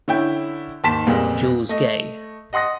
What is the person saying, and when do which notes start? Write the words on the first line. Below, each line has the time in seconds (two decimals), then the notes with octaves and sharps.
Jules Gay.
0.08 D3 C#4 E4 G5 G6
0.84 D#2 G#2 A5 C6 B6 E7
1.07 F2 A#2 G3 G#3 A#3 B3
1.69 A3 D#5
2.53 D#5 F#5 C6 D#6 A#6